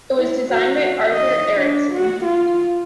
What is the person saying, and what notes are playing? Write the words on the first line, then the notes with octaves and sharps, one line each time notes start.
It was designed by Arthur Erickson.
E4
F#4
D#5
D4
F#4
F4